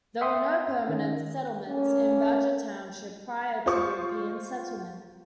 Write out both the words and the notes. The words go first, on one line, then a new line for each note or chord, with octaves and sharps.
There were no permanent settlements in Badger Township prior to European settlement.
E5 F#5 G5 C6 D#6
D#3 C#4
A3 A#3 C#4
F4 C5 C#6